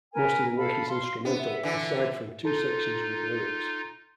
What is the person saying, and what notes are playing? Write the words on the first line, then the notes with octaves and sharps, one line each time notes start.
Most of the work is instrumental, aside from two sections with lyrics.
A#4 B4 G#5
A4 F5 A5 B5
F5 C6
B3 D4
E5
D3 E3
D#4 F4 A4